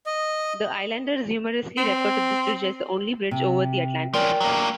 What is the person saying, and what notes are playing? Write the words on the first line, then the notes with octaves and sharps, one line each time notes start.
The islanders humorously refer to this bridge as the only bridge over the Atlantic.
D#5
C4
C3
F3 C#4 A#4 D5 G5
F#3 A#3